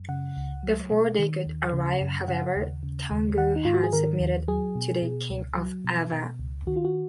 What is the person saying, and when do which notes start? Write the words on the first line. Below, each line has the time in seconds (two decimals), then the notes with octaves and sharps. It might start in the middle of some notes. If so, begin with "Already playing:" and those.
Before they could arrive however, Toungoo had submitted to the King of Ava.
Already playing: F#2
0.09 C#3 F#5
0.37 C#2
0.63 F#3
0.91 B2
1.18 D#3
1.46 D#2
1.73 C#3
2.01 F#2
2.28 C#3 F#5
2.56 D#2
2.83 C#3
3.11 D#2
3.38 D#3 F#5
3.56 D#4
3.65 G#2 F4
3.74 F#4
3.84 G#4
3.93 D#3 A#4
4.20 D#2
4.48 F#3 G#4
4.75 B2
5.03 B2
5.30 C#2
5.57 F#3
5.84 B2
6.13 B2
6.39 C#2
6.67 D#3 F#4
6.76 F4
6.85 F#4